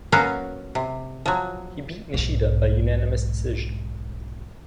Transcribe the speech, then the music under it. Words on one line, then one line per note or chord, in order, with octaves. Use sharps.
He beat Nishida by unanimous decision.
F#3 A#3 B3 C#4 F#4 F5
C3
F3 F#3
B1 G#2